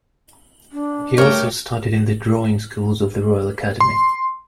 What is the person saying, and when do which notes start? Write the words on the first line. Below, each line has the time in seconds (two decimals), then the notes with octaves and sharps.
He also studied in the drawing schools of the Royal Academy.
0.72 D4
1.18 G2 A3 G4 A#4 C#5 G5
3.80 C6